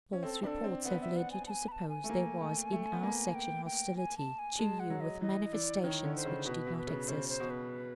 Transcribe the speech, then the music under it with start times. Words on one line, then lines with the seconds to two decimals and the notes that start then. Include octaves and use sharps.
False reports have led you to suppose there was in our section hostility to you with manifestations which did not exist.
0.13 C#4
0.23 C4 A4
0.43 D4 B4
0.47 A4
0.64 C4
0.85 B3 B4
1.01 E5
1.17 F#5
1.31 G#5
1.47 A5
1.50 G#5
1.68 B5
1.72 A5
1.89 G#5
2.04 A3
2.10 A#3
2.41 A3
2.72 A3
2.93 B3
3.03 A#3
3.35 G5
3.65 G5
3.96 G#5
4.17 A5
4.39 G#5
4.59 G#3 A5
4.79 F#5
4.90 F#3
5.01 D#5
5.21 E3 D#5
5.53 E3 D5
5.84 D#3 C#5
6.04 D3
6.15 C5
6.25 C#3
6.46 B2 B4
6.67 B2
6.78 B4
6.87 C#3
7.08 C#3 C5
7.29 C5
7.40 B2
7.50 B4